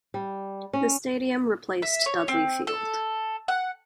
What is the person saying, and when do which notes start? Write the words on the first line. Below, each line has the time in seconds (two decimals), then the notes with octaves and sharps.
The stadium replaced Dudley Field.
0.14 G3
0.73 C#4
1.82 E5
2.06 C#5
2.28 C4
2.67 A4
3.48 F#5